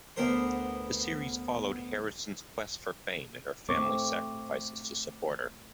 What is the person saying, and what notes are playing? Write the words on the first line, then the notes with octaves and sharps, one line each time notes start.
The series followed Harrison's quest for fame and her family's sacrifices to support her.
D2 B3 A#4 C5 C6
A3 C4 C#6 D6